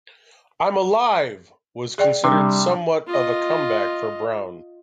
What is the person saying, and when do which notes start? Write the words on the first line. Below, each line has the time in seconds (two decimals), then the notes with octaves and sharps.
"I'm Alive" was considered somewhat of a comeback for Browne.
1.98 G#4 D5 G5
2.24 C3 G3 D4
3.07 F4 D#5